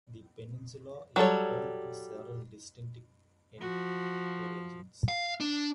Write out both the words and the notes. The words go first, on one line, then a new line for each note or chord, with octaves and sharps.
The peninsula is home to several distinct ecoregions.
F#3 G3 A4 C#5
F3 F#4
F5
D4